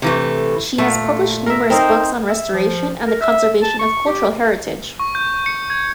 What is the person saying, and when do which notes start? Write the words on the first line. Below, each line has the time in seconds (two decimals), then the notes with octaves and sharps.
She has published numerous books on restoration and conservation of cultural heritage.
0.02 C3 E3 A3
0.78 A#2 A3
1.46 A#4 E5
1.70 C4 D#4 A#4 C5
2.28 E5
2.54 F3
3.07 A#4
3.21 E5
3.62 A5
3.79 C#6
4.06 G4
5.00 C#6
5.15 G6
5.46 C#7
5.70 G#6